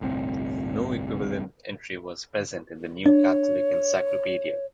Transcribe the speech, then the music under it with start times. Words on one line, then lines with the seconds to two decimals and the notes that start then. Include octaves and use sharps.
No equivalent entry was present in the "New Catholic Encyclopedia".
0.01 G1 C2 A2 C4
3.06 D4 C#5